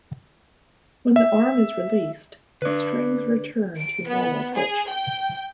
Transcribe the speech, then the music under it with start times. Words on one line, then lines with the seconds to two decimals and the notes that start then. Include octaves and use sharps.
When the arm is released, the strings return to normal pitch.
1.16 E5
2.62 D3 D4 B4 D5
3.78 D7
4.08 B3
4.55 G#4
4.89 G5